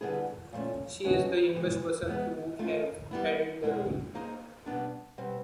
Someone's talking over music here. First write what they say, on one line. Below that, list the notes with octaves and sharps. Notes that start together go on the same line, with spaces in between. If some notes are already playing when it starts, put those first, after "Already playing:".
She is the youngest person to have held the role.
D3 G3 B3 E4 G#4
A#2 F3 A3 C#4
A3 C#4 F#4 B4 D#5
E3 G#3 C4
G#3 B3 E4
A3 C#4 F4
G3 B3 E4
B2 G#3 C4 E4 G#4
A#3 D#4 G#4 C5 D#5
B2 G3 B3 D4
B2 G3 C4